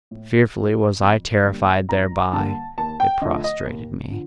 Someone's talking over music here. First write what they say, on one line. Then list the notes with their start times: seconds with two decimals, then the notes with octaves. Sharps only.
Fearfully was I terrified thereby: it prostrated me.
0.11 A2
0.56 F3 A3
1.00 F2
1.45 D3 G3 A#3
1.89 F2 A#5
2.33 D3 G3 A#3 A5
2.78 D#2 A5
3.00 G5
3.21 D3 F3 A3 D#5
3.44 D#5
3.67 D#2
4.11 D3 F3